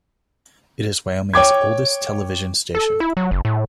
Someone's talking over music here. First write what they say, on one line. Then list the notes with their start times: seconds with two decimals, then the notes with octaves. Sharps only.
It is Wyoming's oldest television station.
1.34 C#5 G5 D6 G#6
2.75 A4
3.00 E4
3.17 F#3
3.31 F#1
3.45 A2